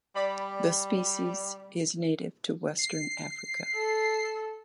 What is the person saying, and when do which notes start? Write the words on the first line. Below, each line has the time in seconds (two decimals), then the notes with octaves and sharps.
The species is native to western Africa.
0.15 G3 D5 B5
2.79 C7
3.74 A4